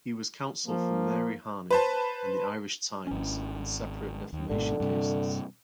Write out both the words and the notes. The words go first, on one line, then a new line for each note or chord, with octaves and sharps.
He was counsel for Mary Harney and The Irish Times in separate defamation cases.
F3 A#3
B4 C5 A5
G#1 C#4
D#2
G#1 G#2 B2 D3
G2 C3